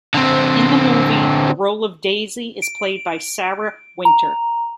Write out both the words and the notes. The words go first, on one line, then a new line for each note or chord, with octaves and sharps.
In the movie, the role of Daisy is played by Sarah Wynter.
D3 C4
D7
A#5